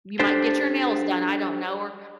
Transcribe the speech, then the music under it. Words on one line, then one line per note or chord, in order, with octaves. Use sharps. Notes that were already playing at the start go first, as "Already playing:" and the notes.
you might get your nails done, I don't know, or
D4 G4 A4 C5